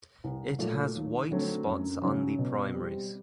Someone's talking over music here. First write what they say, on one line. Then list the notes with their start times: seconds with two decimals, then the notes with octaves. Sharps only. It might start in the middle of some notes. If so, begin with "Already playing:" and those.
It has white spots on the primaries.
0.24 C2
0.59 A#2 F#3 A3
0.95 D#2
1.31 D3 F#3 A3 C4
1.67 F#2
2.02 C#3 F#3
2.39 B2
2.74 G3 C4